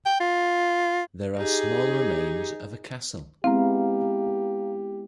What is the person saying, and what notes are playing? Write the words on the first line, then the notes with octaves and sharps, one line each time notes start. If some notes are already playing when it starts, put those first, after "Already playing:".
There are small remains of a castle.
G5
F4
D#4 G4 G#4
G#3 B3 C4 E4 G4 F5 A#5